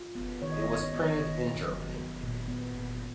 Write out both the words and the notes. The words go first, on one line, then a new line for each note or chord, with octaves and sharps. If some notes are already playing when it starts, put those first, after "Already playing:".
It was printed in Germany.
Already playing: F4
B3
D#3 C#5
D#5
C#5
B3 D#5
C#5
B3 D#5
C#5
D#3 D#5
F#3
F#3
B3
A#2
B3
A#2